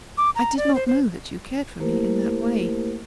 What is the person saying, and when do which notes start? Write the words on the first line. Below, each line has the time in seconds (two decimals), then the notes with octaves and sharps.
I did not know that you cared for me in that way.
0.17 D6
0.35 A#5
0.57 D5
0.75 C5
0.87 C5
1.80 A3 A#3 E4 G4 A#4 C5